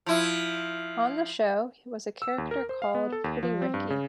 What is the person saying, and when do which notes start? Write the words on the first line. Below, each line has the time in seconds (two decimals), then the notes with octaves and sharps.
On the show was a character called 'Pretty Ricky.
0.06 F3 E4
2.22 E6
2.38 D#2
2.51 A#4
2.69 C5
2.82 F5
2.95 B3
3.12 A4
3.24 D#2
3.43 F3
3.62 C4
3.74 G2
3.90 C#3